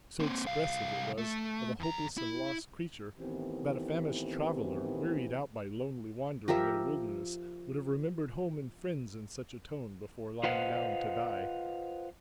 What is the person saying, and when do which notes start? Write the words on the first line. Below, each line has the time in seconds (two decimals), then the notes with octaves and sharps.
So expressive it was, of a hopeless and lost creature, that a famished traveller, wearied out by lonely wandering in a wilderness, would have remembered home and friends in such a tone before lying down to die.
0.20 A#3 C4
0.47 C2 F5
1.18 A3
1.80 E2 A#5
2.18 E4
3.19 A2 D#3 E3 B3 C4 G4
6.48 F3 G4 A#4 E5
10.43 F4 B4 C5 D#5 F5 F#5